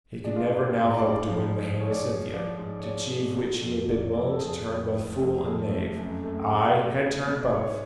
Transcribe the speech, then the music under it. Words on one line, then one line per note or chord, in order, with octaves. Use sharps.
He could never now hope to win the hand of Cynthia, to achieve which he had been willing to turn both fool and knave--aye, had turned both.
G#3 D4
F4
G#2 D4
G#2 F4
D5
G#2
D5
F3
G#2
G#2 C#5
D5
C#5
G#3
F3 D5
G#2
C#5
G#3 D5
G#3
D3
F2
F2 D5
C#5
F2 D5
A4
F2 G#4
F2
A3
F2
G#4
F3 A4
A3
F#2
A3
G#3
B2
B2
B2
D5
G#2 C#5